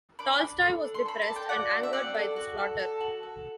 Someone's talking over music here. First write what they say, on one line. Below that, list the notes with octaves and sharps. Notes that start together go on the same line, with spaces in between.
Tolstoy was depressed and angered by the slaughter.
D4 B5 D6
D4
A4
D4
C6
A4 B5
A5
D4
G5
F#4 D5 F#5
D4
E5
C4 D5 F#5
A4
F#4
A4
A4
F#4
A4